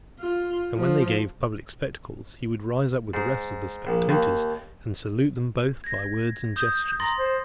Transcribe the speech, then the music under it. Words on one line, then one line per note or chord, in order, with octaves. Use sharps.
And when they gave public spectacles, he would rise up with the rest of the spectators, and salute them both by words and gestures.
F4
F3
G#2
A#1
D#2
G#6 A#6
D#6 G6
A#5 C6 A6 A#6
C5